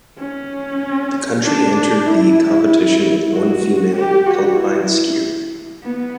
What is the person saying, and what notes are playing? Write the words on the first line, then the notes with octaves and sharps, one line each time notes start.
The country entered the competition with one female alpine skier.
C#4
D4
E4
F#4
G4
F#4
E4
B3